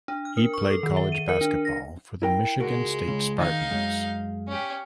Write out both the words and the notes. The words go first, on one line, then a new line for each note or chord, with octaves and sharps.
He played college basketball for the Michigan State Spartans.
D4
F6
A#4
C#6
A4
D#3
E5
D#7
A#4
D4
A#6
E4 A#4 G5
C#2 G#3 F#4 A#4
C#2
D#3 D#4 F5
F#2 G#3
C#4 G4